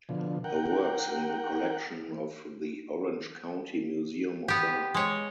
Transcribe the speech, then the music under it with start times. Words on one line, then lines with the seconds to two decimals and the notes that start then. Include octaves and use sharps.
Her work is in the collection of the Orange County Museum of Art.
0.09 B2 D3 F3
0.44 A#4 F#5 G5
4.48 B3 G4
4.94 G#3 C#5